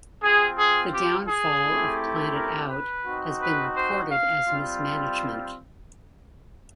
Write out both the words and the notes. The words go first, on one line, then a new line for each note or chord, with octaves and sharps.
The downfall of Planetout has been reported as mismanagement.
C4 F4 G#4
G#4
G4
G#4
A3 C4 E4 G4
A#4
B4
C4 D#4 F#4
B4
C5
F5
G3 C4 F4